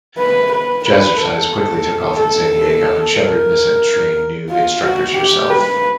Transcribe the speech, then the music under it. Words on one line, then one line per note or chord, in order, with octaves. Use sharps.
Jazzercise quickly took off in San Diego and Sheppard Missett trained new instructors herself.
B4
B4
B4
A4
A4
A#4
F4
F#4
G4
B4